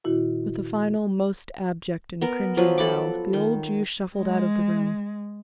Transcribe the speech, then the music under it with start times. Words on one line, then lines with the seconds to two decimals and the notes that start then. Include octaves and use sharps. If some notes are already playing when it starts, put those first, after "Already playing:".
With a final, most abject and cringing bow, the old Jew shuffled out of the room.
0.04 A#2 D#3 E4 F#4
2.21 B3 A#4
2.57 F3 F#3 B4
2.78 A4 B5 D6
3.33 D#3
4.16 G#3